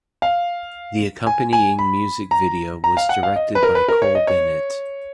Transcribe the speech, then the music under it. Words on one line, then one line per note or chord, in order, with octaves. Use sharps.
The accompanying music video was directed by Cole Bennett.
F5
G#5
G#5
B5
A#5
A#5
F5
F#5
F5
D#5
B4
A#4
B4
A#4
C#5
D#5
C#5